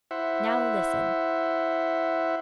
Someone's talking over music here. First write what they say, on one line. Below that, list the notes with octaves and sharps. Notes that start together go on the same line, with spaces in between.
Now, listen.
E4 C5 E5 F#5